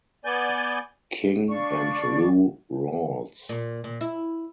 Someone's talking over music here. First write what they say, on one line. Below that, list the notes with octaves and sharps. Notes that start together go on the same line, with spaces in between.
King, and Lou Rawls.
B3 D5 G#5 G6
D4 D5 F5 C#6
A#2
A#2
E4